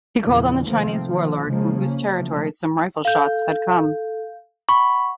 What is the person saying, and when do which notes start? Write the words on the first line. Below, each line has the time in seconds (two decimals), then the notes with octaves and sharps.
He called on the Chinese warlord from whose territory some rifle shots had come.
0.22 E2 A#2 C#3 E3 F3
0.69 C3 D#3 F3 A3 A#3 C4
1.06 D#3 F3 A#3
1.47 C#3 F3 G#3 A#3
1.80 A#3 C#4
2.18 C#3 F3 A3 A#3
3.05 A4 F5 G6
4.69 F#5 B5 C#6